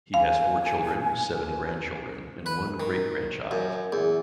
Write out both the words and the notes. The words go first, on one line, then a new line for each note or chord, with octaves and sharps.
He has four children, seven grandchildren, and one great-grandchild.
F5 G#5
B4
D#3
F#2
E2